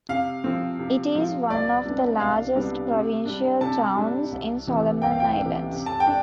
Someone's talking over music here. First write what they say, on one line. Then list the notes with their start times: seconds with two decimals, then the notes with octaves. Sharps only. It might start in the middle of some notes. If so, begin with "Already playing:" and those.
It is one of the largest provincial towns in Solomon Islands.
0.09 C3 F5
0.44 F3 C4
0.79 C3
1.15 F3 C4
1.50 C2 D5
1.85 C3 G3 B3 D4
2.20 C2 F5
2.56 C3 G3 B3 D4
2.91 C3
3.26 G3 D4
3.61 C3 A5
3.96 G3 D4
4.32 C2
4.67 C3 E3
5.02 C2 G5
5.11 F5
5.20 G5
5.37 C3 E3
5.73 C3
5.86 A5
6.00 G5
6.07 D4